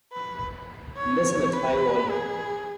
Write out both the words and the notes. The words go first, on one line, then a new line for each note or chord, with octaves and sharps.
Listen at high volume.
B4
C#5
B4
G#4